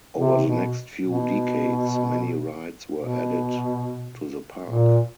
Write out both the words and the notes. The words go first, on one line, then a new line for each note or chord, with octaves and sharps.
Over the next few decades, many rides were added to the park.
C3
B2
B2
B2
A#2